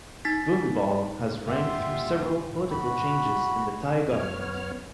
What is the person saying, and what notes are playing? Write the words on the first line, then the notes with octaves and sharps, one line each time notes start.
Bhumibol has reigned through several political changes in the Thai government.
D#4 A6 B6
G3 A#3 F4 G4 E5 F#5 C6
F#4 B5
F#2 B3 C#5 F6